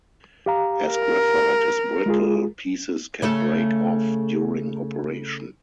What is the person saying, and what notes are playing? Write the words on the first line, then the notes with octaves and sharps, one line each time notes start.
As graphite is brittle, pieces can break off during operation.
G4 F5 A#5
A#4
G#3 F4 G#4
C#3 A3 A4